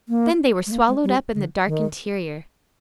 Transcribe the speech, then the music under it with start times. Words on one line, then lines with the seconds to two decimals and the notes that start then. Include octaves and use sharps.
Then they were swallowed up in the dark interior.
0.09 A#3
0.67 G#3
0.72 A#3
0.88 G#3
1.04 G3
1.35 D3
1.67 D#3